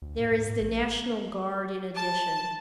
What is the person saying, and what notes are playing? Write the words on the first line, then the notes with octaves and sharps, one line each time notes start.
There is the National Guard in addition.
D2
A2
G#2
A2
A#1
A5